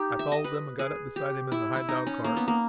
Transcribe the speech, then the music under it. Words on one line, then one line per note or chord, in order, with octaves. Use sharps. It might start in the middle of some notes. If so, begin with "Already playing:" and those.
I followed him and got up beside him in the high dog-cart.
Already playing: D#4 G4
E5
D#5
B4
G#4
G4
E4
E4
D#4
C#4
A#3
B3
A#3